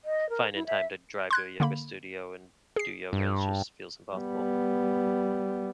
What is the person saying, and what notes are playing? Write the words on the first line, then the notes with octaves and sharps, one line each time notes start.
finding time to drive to a yoga studio and do yoga, is just feels impossible.
D#5
A#4
E4
E5
C6 F#6 G#6
D3 A#3 B5
G#4 C7
G2
G3 B3